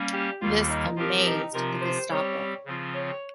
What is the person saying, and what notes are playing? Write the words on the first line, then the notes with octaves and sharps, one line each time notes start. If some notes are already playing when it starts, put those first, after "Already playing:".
This amazed the Gestapo.
Already playing: G3 A#3 C#4
G4
D#2 D#3 G3 A#3 F4
D#4
F3 C4 F4 G4 A#4
D#4
C3 F3 C4 F4 A#4
C5
G3 C4 G4 C#5
C#3 F3 C4 F4
C#5